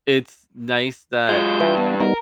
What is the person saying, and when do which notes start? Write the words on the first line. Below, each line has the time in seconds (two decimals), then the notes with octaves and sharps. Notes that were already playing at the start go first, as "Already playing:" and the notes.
it's nice that
1.29 F#3 G#3 F4 G6
1.60 G2 E3
1.78 B3
2.00 G3 B3 D#4 A#4